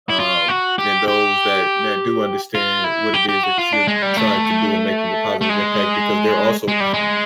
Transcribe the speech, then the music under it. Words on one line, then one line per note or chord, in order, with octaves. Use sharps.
Um, and those that that do understand what it is that you're trying to do in making a positive impact, because they're also
E4
F4
F#4
G4
G4
F4
E4
G4
G4
F#4
F4
D4
G#3
G3
A3
A3
G#3
G#3
G3
G#3